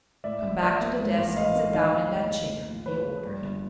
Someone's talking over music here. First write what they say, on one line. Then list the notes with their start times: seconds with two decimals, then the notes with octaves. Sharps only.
"Come back to the desk and sit down in that chair!" he ordered.
0.24 A2 D5 E5
0.43 A1
0.61 F3 D5 E5
0.80 A#3
0.99 G#2
1.18 A1
1.36 E3 D#5 F5
1.56 A3
1.74 D#3 D#5 F5
1.93 D#2
2.11 G#3 C#5 D#5
2.30 D#2
2.49 A2
2.67 A#1
2.86 F3 B4 C#5
3.05 A#1
3.23 G2
3.42 G1